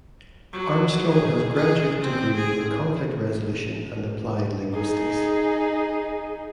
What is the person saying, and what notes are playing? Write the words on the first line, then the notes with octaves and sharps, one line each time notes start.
Armstrong has graduate degrees in Conflict Resolution and Applied Linguistics.
F#3
G#4
G#4
C4
G#4
D#4 G#4